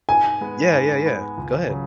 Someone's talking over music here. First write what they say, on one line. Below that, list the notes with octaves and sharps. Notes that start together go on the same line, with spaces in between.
Yeah, yeah, yeah. Go ahead.
G#2 G#5
G#3 B3
G#2
G#3 B3
C#2
C#3 F#3